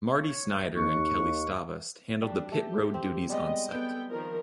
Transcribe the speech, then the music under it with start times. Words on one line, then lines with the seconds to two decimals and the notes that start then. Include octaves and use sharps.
Marty Snider and Kelli Stavast handled the pit road duties on site.
0.15 C#5
0.75 D#2 C#6 F#6
2.22 G3 D4
2.52 A3 G4
2.94 C4
3.30 G3 G#3 B3 D#5
3.68 B3 A4 G5
4.09 D#3 F3 A#4